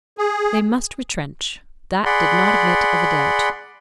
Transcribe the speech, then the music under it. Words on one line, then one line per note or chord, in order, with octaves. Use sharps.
They must retrench; that did not admit of a doubt.
G#4
G#4 D5 F#5 B5 C6